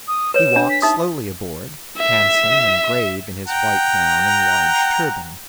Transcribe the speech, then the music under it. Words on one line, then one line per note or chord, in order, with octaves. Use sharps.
He walked slowly aboard, handsome and grave in his white gown and large turban.
D#6
B4 C#5 E7
D4
B6
D#4 E5 D#6
E5
F#5 G5 A#5